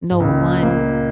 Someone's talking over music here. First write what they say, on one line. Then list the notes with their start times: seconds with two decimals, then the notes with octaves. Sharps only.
no, one
0.11 G#2
0.20 C#2 A#2
0.63 A#3